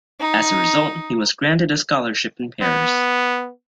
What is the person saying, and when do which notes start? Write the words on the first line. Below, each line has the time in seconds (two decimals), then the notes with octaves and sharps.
As a result, he was granted a scholarship in Paris.
0.20 D#4
2.62 B3